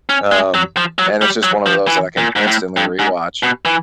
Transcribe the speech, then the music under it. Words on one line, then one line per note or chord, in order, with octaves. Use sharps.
Um, and it's just one of those that I can instantly rewatch.
C#4
G#3
F#3
F3
F#3
G3
F#3
F3
E3
A#2
G#2
A2
G2
G#2
B2
E3